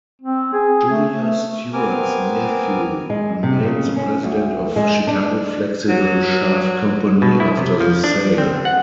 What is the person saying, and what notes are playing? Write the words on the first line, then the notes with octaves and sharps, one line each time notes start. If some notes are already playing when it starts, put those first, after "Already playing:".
Julia Stewarts nephew remained the president of Chicago Flexible Shaft Company after the sale.
C4
G#4
A3
A3
B3 C4 A#4 G#5 D6 F6
G#3
C3
C#3
C#4
D2
G#3
D4
F#3
B2
E4
C3
F3
D4
C4
F#5